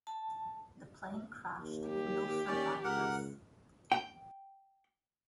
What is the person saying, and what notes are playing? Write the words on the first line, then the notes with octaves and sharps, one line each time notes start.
The plane crashed with no survivors.
A5
D#2
G4
C#4 D5
C#2 A#4 F#5
G5